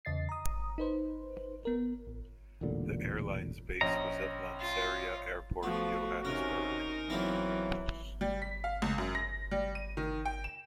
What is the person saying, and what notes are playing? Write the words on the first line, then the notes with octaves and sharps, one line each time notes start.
The airline's base was at Lanseria Airport, Johannesburg.
E2 C#3 D#5 A6 C7
A#5 D#6
D#4 B4 C5
B3 A#4
A1
E1 A1 A#2 D3
A#1 C#4 D#5 A#5
F4
F3 A3 B3 F#4
C3 C#4 D#4 A#4
E2 E3 F#3 A#3 C4
G3
B6
F5
C#2
F#2
A#6
G3
D#7
D#3
G5
E7